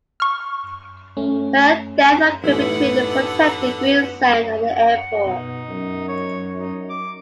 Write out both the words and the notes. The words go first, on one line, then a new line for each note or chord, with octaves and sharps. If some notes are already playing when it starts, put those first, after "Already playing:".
Her death occurred between the protected Green Zone and the airport.
C#6 F6
A3 C#4
A1 D3 A3 B3 D#4 E4 B4 F#5
F#5
B2 D#4
F#2
C#5
D#4
D6